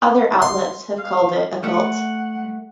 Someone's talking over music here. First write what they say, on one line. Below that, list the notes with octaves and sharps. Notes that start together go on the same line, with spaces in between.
Other outlets have called it a cult.
C6
F5
A3 F#5